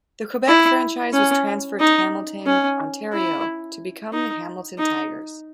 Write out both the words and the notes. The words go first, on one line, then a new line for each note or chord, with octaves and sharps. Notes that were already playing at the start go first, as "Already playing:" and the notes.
The Quebec franchise was transferred to Hamilton, Ontario, to become the Hamilton Tigers.
E4
C#4
D#4
C#4
E4
D#4
D#4